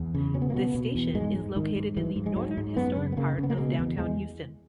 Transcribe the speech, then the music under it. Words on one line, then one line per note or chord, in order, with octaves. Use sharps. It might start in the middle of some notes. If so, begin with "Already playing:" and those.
This station is located in the Northern, Historic part of Downtown Houston.
Already playing: E2
C#3
B2 C#4
B3
A#3
B2 B3
B2
E2
G#2 G#3
G#2
G#2 D#3
G#2
G#2 E3
G#2
G#3
G#2 F#3
G#2
F#2 B3
C#3
B3
C#3 A#3
C#3 B3
A#3
B2 G#3
E2
E2 G#3